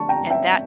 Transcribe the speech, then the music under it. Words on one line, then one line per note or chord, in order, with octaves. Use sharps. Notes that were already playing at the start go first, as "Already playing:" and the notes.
And that
Already playing: D3 F3 A3 A5 C#6
G5 A#5
E5 G5